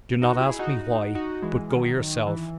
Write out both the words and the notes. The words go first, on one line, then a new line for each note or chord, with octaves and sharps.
Do not ask me why: but go yourself.
D#4 F#4
E4 G#4
D#4 F#4
D#4 F#4
E3 G#3
D#3 F#3
D#3
E3